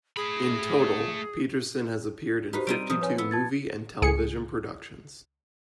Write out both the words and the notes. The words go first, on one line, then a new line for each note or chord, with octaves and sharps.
In total, Peterson has appeared in fifty-two movie and television productions.
A3 G#4 B5
D#4 F#4 G4 B4 C5
G3 C4 D#4 D7 D#7
F3 D#6
B4 C#5 G#5
B3 E6
A5 G#6 A6
C#2 G#4 C#7